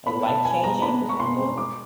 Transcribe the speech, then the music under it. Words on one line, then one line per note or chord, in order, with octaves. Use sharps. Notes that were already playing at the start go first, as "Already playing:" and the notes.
A life changing, kind of?
B3 B5
B2 A5
B3 G#5
B3 A#5
D4 B5
G#3
C#6
B2 C6
G#3
G#3 D6